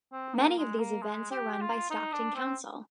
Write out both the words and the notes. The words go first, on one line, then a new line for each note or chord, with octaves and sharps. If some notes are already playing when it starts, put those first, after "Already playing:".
Many of these events are run by Stockton Council.
C4
A#3
G#3
A#3
G#3
G4
G4
F4
D#4
D4
C4